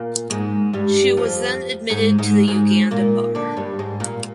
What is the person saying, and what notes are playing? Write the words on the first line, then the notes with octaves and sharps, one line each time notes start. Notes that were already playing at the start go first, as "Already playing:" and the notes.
She was then admitted to the Uganda Bar.
Already playing: A#2 A#3
G#2 G#3
G2 G3
F2 F3
G#2 G#3
G#2 G#3
G#2 G#3
A#2 A#3
D3 D4
G2 G3
G#2 G#3
A#2 A#3